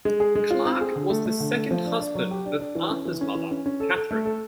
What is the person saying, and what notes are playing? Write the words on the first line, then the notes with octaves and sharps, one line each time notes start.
Clarke was the second husband of Arthur's mother Katherine.
G#3
G#4
G#3
F4
C4
G#4
D3
A3
A3
D3
A3
F3
D4
D4
F#3
G4
D4
D4
E3
C#4
E3
C#4
E3
C#4
C#4
A4
A4
A3
A4